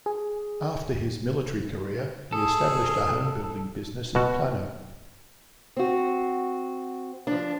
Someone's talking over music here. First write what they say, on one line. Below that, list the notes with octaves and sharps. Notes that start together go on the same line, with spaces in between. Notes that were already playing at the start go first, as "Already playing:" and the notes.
After his military career, he established a homebuilding business in Plano.
G#4
G#4 A4
B2 F#4
C4 F#4
F3 D4